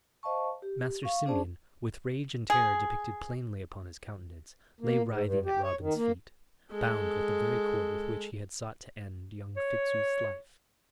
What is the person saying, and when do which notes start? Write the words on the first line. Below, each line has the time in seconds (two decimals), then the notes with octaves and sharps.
Master Simeon, with rage and terror depicted plainly upon his countenance, lay writhing at Robin's feet, bound with the very cord with which he had sought to end young Fitzooth's life.
0.23 C5 D#5 F5 A5 C#6
0.62 G4
1.03 F5 C#6
1.25 C#4 D4 G#4 C5 D5 A5
2.50 G#4
4.81 A#3
5.09 G#2
5.24 G2
5.45 G4
5.63 C#5
5.81 D#3
5.95 A#3
6.72 G#3 A4
9.57 C#5